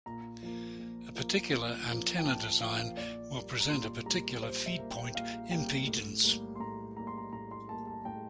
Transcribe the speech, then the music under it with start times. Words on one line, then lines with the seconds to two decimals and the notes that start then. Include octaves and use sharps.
A particular antenna design will present a particular feedpoint impedance.
0.06 A#2 A#5
0.43 F3 A#3
0.79 A#2
1.15 F3 A#3
1.51 A#2
1.88 F3 A#3
2.18 G5
2.24 A#2 A5
2.60 F3 A#3 F5
2.97 A#2 D5
3.33 G3 A#3
3.60 A#5
3.69 A#2 C6
4.06 G3 A#3 A#5
4.42 A#2 C5
4.66 E5
4.79 G3 A#3
4.91 G5
5.15 A#2 F5
5.51 G3 A#3 G5
5.87 A2
6.24 G3 A#3
6.55 C6
6.60 A2 A#5
6.97 G3 A#3 A#5
7.07 C6
7.18 A#5
7.33 A2 A#5
7.51 C6
7.69 G3 A#3 A5
7.87 A5
8.05 A2 G5